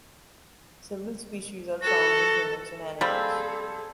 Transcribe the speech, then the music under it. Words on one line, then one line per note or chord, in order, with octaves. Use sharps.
Several species are found in humans and animals.
F#4 A4
G3 A#3 C4 G#4 A4 B5